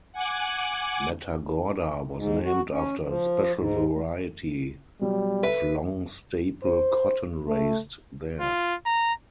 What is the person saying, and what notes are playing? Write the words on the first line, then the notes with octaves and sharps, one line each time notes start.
Matagorda was named after a special variety of long-staple cotton raised there.
F#5 G#5 D6 F#6
G#2
F#4
C#4
F3
G#2
D2
B2 F#3 G3
B4 E5
C5
A3
F4
A#5